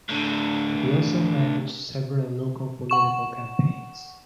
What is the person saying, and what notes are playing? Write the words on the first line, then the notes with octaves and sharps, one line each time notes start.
He also managed several local political campaigns.
A2 D3
F#5 C#6 E7